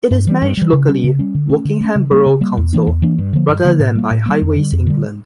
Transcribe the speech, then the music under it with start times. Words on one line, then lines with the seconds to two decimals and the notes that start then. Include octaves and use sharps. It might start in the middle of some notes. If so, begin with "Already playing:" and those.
It is managed locally, Wokingham Borough Council, rather than by Highways England.
0.11 G2
0.27 E3 G3
0.42 G2
0.57 E3 G3
0.73 C#3
0.88 G3 C#4
1.04 C#3
1.19 G3 C#4
1.35 D3
1.49 A3 C#4
1.65 D3
1.81 A3 C#4
1.96 C#3
2.11 G3 A#3
2.26 C#3
2.41 G3 A#3
2.57 E2
2.73 E3 A#3 D4
2.87 E2
3.02 E3 A#3 D4
3.18 G2
3.33 D3 F3 A#3
3.49 G2
3.65 D3 F3 A#3
3.80 A2
3.95 G3 A#3
4.11 A2
4.26 G3 A#3
4.42 F2
4.56 D3 G3
4.72 F2
4.87 D3 G3